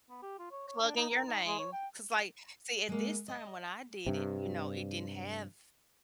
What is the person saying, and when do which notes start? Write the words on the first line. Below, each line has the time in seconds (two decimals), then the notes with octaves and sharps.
Plug in your name. 'Cause, like, see, at this time when I did it, you know, it didn't have
0.10 B3
0.22 G4
0.39 F4
0.51 C#5
0.68 C#5
0.84 D4
0.96 D#4
1.09 A#4
1.27 D#4
1.46 G#3
1.59 C#5
1.72 G5
2.89 G#3 A#3
3.28 D#5
4.07 G2 C3